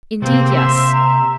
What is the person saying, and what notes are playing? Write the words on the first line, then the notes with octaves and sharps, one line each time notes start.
'Indeed, yes.
C3 A#3 C4 G4
E5 C6
A#5